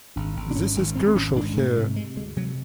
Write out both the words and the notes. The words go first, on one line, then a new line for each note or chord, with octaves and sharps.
This is crucial here.
G#1 D4
G#1
D4
G#2 C#4
G#1
G#1 C4
C4
G#1 C#4
G#2 D4
G#2 A3
C3 A3
C3 G#3
D2 G#3
C3 F#3